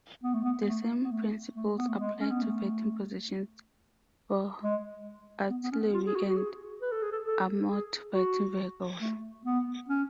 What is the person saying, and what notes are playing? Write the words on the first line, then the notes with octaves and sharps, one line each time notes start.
The same principles apply to fighting positions for artillery and armored fighting vehicles.
B3
A3
B3
A3
B3
A3
A3
B3
A3
G#3
C#4
B3
A3
G#3
B3
B3
C#4
F4
G#4
F#4
F#4
G#4
B4
A4
G#4
A4
A4
G#4
F#4
A3
B3
C#4